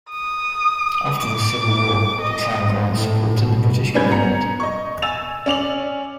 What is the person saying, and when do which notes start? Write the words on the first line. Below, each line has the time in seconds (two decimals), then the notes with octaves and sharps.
After the Civil War the Clan Grant supported the British government.
0.11 D#6
1.19 D6
2.21 D#5
2.92 A2
3.37 B2
3.94 A#2 G3 C#4 B4 G6 G#6
4.11 B3 A#5 C#7
4.60 D#5 C#6
5.02 G#5 E6 A6 E7 F7
5.46 C#4 D5 F7 F#7